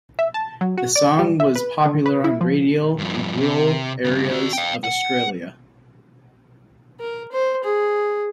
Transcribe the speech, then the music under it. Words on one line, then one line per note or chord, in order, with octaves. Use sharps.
The song was popular on radio in rural areas of Australia.
E5
A5
F#3
F#4
D5
G3
E5
B4
D3
B4
E4
F3
G2 F3
C3
G2 C#3
F#4 D5
F5 G5
F#5
A#4
C5
G#4